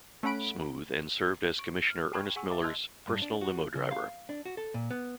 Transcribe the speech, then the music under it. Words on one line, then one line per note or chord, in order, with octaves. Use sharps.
Smooth and served as Commissioner Ernest Miller's personal limo driver.
A3 C#4 F#5 B5 D7
C#6 D7
F6
G5 A5 B5 C#6 F6 G#6
G#4 F#5 G#5 C#6 E6
E5 D6
D#5 A5 C6 E6 F#6 G#6
G2
D4
F#4
C#3
F5
D4
F#4
A4
A#2
B3